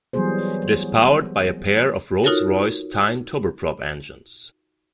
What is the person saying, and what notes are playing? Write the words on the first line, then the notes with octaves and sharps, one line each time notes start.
It is powered by a pair of Rolls-Royce Tyne turboprop engines.
E3 F#3 G3 B3 G#4 C5
D#4 F4 F#4 A4 A#4 C#5